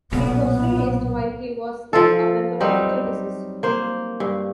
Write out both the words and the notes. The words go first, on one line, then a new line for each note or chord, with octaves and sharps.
It was released while he was still a member of Genesis.
B1 A#2 B3
F3 F4 A4
F#3 G3 C4 D#4
A#3 C5
G2